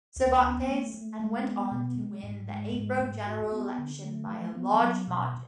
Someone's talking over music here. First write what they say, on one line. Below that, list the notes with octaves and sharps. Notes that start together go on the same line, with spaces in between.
Cervantes and went on to win the April general election by a large margin.
D2
B3
A3
A3
G#3
B3
B2
G#3
G#2
G#3
G#2
G#2
F#4
B3
D3
A3
F3
B3
F#3
B2